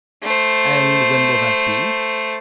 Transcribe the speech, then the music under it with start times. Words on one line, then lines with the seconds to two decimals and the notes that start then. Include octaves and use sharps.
"And when will that be?"
0.23 A3 C5